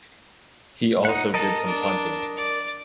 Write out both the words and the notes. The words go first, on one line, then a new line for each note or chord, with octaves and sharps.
He also did some punting.
D#4 F#5
A4 A#4 D#5 A5
D4
D5